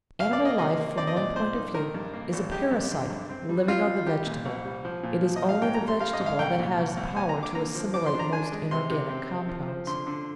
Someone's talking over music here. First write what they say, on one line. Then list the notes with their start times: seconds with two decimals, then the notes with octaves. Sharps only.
Animal life from one point of view is a parasite, living on the vegetable; it is only the vegetable that has power to assimilate most inorganic compounds.
0.20 C2 F5
0.33 D5
0.39 A#3
0.45 D#5
0.58 C3 D#5
0.78 A#3
0.98 C4 D5
1.07 D#5
1.17 A#2 D5
1.36 A#2 C5
1.55 D#4
1.74 D#3 A#4
1.94 G2
2.14 A#3
2.33 G#1
2.52 G#3 G4
2.71 G2
2.91 D3
3.10 G2
3.30 C4
3.49 G3
3.68 C4 F4
3.87 G3
4.07 G3 G4
4.26 A#2
4.46 C2
4.65 G3
4.85 F3
5.03 A#2
5.23 F3
5.36 D#5
5.43 F3
5.49 F5
5.62 G#2 G5
5.74 A#5
5.81 G3
5.88 C6
6.00 G3 F5
6.13 D#5
6.20 G#2
6.26 F5
6.39 C2 G5
6.59 A#2
6.78 C2
6.97 C2
7.16 D#2 G#5
7.29 A#5
7.36 D3
7.43 D6
7.55 A#3 A#5
7.75 F3
7.94 F3 D6
8.06 C6
8.14 D4
8.19 A#5
8.32 D4 G#5
8.52 G#3
8.71 C3 C6
8.90 C3
9.10 C4
9.30 C4
9.49 F3
9.68 F3
9.87 D3 C6
10.07 D3